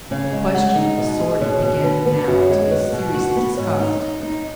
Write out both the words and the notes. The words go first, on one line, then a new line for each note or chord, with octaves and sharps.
The question of a sortie began now to be seriously discussed.
C#3 C#5
G#3
G#3 F#5
D#4
B2 D#5
G#4
D#5
B2 C#5
B2
B3 B4
B3 B4
F#2 F#4
G#3 G#4
F#4 B4
B2
F#4
B3
G#2 C#5
D#4
D#4
D#4